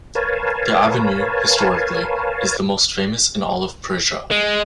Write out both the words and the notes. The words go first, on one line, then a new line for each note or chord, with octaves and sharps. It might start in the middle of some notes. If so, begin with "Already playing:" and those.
The avenue, historically, is the most famous in all of Persia.
A#4 B4 C#5 F5 G#5 A5
G#3